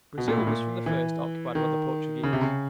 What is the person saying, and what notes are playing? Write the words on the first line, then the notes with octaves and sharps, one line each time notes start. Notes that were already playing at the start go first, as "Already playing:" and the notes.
Brazil was from the first occupied by the Portuguese.
B2
A#2
A2
A#2
E3
D#3
C#3
C3
C#3